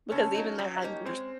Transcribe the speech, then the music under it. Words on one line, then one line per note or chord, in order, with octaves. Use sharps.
because even though I used
D3 C#4
F#3 A#3 D#4
F#3
A#3 D#4 G4
G#3 C4